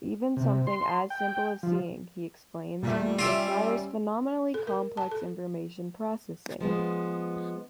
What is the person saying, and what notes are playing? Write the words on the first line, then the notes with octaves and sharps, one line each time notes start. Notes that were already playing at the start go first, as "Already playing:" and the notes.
Even something as simple as seeing, he explains, requires phenomenally complex information processing.
C3
C6
G5
F3
E2 A#2 G3 A3
C#4 F4 G4 E5 E6
A4
A#4
A5
A4
F3 G#3 B3